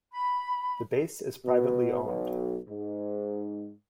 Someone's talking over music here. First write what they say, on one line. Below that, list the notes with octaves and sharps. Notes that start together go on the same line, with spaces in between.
The base is privately owned.
B5
B2
B1
G#2